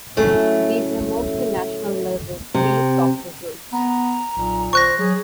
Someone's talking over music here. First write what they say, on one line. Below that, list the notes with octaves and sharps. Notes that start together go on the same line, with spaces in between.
These are mostly national-level free software groups.
A2 C#3 F#3 A3
C3
B3 A#5
B1 A#2
G#1 C5 C#6 F#6 A#6
F#3 G#4